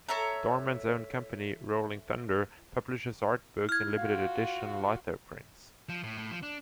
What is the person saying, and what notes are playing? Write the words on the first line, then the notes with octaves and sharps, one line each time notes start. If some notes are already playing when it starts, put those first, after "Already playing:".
Dorman's own company, Rolling Thunder, publishes art books and limited edition litho prints.
A4 C#5 E5 A#5
E4 F6 G#6
F4 F#4 F5
F3
A2
A2
F3
D4